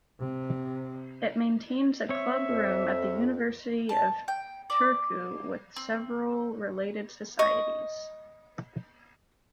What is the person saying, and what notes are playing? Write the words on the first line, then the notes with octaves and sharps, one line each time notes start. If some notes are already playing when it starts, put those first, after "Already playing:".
It maintains a club room at the University of Turku with several related societies.
C3
C4 C#5 E5
F2
A5
G5
D5
C4
D#5 C#6